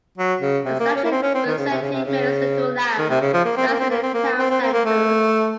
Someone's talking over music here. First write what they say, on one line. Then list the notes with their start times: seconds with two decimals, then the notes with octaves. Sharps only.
A statue representing Mary's Little Lamb stands in the town center.
0.18 F#3
0.41 C#3
0.65 C3
0.80 A#3
0.96 C#4
1.04 A#3
1.11 C4
1.22 C#4
1.35 C4
1.47 D#3
1.58 C#3
1.70 C3
1.82 C#3
1.93 C3
2.05 C#3
2.98 D#3
3.10 C3
3.21 C#3
3.33 F3
3.45 A#3
3.57 C4
3.68 A#3
3.80 C4
3.91 A#3
4.02 C4
4.14 A#3
4.39 C4
4.50 C4
4.62 C4
4.73 A#3
4.85 A3